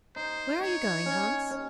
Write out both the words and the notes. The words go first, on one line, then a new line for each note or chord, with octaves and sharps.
'Where are you going, Hans?'
D#4 C5
D#4 C#5
C#4
C#4